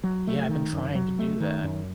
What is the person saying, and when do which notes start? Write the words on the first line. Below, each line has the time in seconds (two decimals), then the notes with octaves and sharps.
Yeah, I've been trying to do that.
0.04 F#3
0.27 A3
0.49 D#3
0.73 F#2
0.95 F#3
1.19 A3
1.40 D#3
1.64 F#2